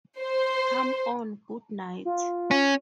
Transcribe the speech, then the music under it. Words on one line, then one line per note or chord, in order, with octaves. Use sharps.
Come on, good night!
C5
F4
C#4